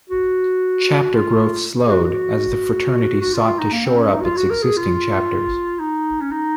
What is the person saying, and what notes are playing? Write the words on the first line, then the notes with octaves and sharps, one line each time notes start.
Chapter growth slowed, as the fraternity sought to shore up its existing chapters.
F#4
F4
G#4
F#4
F#4
F#4
F4
F4
D#4
A#3
C4
C#4
D#4
F#4
F4
F#4
A#4
G#4
F4
D#4
C#4
D#4